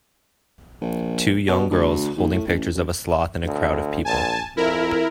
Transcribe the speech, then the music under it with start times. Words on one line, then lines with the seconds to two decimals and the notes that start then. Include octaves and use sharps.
Two young girls holding pictures of a sloth in a crowd of people.
0.81 A#1
1.48 B2
1.71 D2
2.17 D#2
2.32 A2
2.48 A1
2.75 F#2
3.44 D2
4.05 A#1 G#5 A5
4.57 F2 E4 A#4